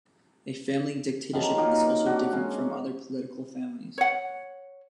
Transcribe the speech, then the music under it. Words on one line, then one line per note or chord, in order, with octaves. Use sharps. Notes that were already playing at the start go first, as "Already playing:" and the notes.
A family dictatorship is also different from other political families.
D#3 F3 F#3 A#3
D#3 A#3 D#4
D4 F#4
G#3 C#4
C#5 F#5